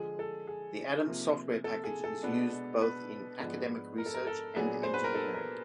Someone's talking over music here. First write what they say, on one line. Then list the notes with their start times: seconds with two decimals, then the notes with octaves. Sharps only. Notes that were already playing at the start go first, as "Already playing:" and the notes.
The Adams software package is used both in academic research and engineering.
Already playing: D3 F3 G#3 G#4
0.19 A4
0.47 G#4
1.06 C3 F3 A#3
1.64 A4
1.84 G#4
2.04 A4
2.23 B2 G#3 B3 D4
2.81 B4
3.40 G#2 F3 G#3 B3 D4
3.98 A#4
4.06 A4
4.14 A#4
4.27 A4
4.56 A#2 F#3 B3 D4 G#4
4.83 C5
4.94 B4
5.04 A#4
5.15 A4
5.34 A#4